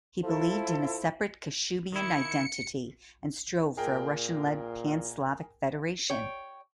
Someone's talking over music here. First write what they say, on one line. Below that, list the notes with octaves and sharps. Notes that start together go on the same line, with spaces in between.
He believed in a separate Kashubian identity and strove for a Russian-led pan-Slavic federation.
F3 E4 A4
D#3 E4 C#7
A#2 G#4 A#4 G5
C#5 G5